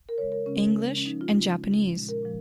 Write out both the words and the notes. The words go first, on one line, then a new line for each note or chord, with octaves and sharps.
English and Japanese.
A#4
C#3 G#3 C#5
A#4
C#3 G#3 C#4
C#3 F3 G#3
C#4
C#3 F3 G#3 D#4
F4
C#3 G#3
C#3 G#3
A#2 F3 G#3
A#4
A#2 F3 G#3